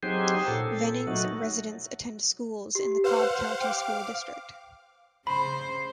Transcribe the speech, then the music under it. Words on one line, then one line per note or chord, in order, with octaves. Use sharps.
Vinings residents attend schools in the Cobb County School District.
F#3 C4 D#4 G4 G#4 C5
A#2 A4
F#3 A3 D#4 F#4
G4
B4 C5 F5 F#5
F5 G5 D6
C#3 C5 B5